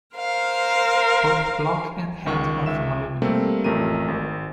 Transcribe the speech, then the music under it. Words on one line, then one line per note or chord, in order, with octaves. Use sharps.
Both block and head are from aluminium.
A#4 C5 F5
C#2 D#3 C#6
C#2 E5 E7
G3 A3 A#3 C4
A1 F2 A3 A#4 D#7
G#1